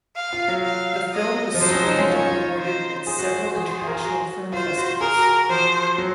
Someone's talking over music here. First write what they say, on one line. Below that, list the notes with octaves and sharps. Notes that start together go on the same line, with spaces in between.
The film was screened and awarded at several international film festivals.
F5
F4
F#3
F5
D#5
F3
F#3 C5
D#4
C#4
D#4
C#4
F4 C#5
D#4
F4
C5
G#4 C5
F#4
F#4
G#4
G#4
A#4
G#4
F#4
F4 C5
F#4
G#4 A#4
F#4
F3 C5
F#3